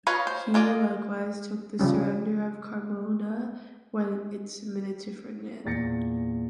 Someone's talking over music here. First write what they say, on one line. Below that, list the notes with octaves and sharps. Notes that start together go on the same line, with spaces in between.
He likewise took the surrender of Carmona when it submitted to Ferdinand.
F4 B4 C#5 D#5 F5
C5
G#3 F4 D5 D#5
C#3 F3 G3 C#4
E2 A#2 A6 A#6 C#7